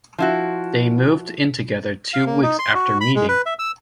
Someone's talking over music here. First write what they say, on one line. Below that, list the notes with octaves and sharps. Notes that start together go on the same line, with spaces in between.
They moved in together two weeks after meeting.
F3 E4 F#4
F5
A#3
D#4
C6
F#4
B5
G#3
B4
E5
E6